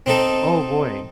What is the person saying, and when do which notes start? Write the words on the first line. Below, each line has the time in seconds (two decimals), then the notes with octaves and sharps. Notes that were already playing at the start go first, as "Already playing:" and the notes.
oh, boy,
0.06 C4 D#4 A4